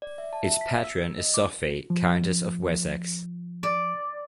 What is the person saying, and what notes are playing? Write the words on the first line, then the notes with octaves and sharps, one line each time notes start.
Its patron is Sophie, Countess of Wessex.
D5
E5
A5
E5
B6
E6
D#5
D6
F3
D5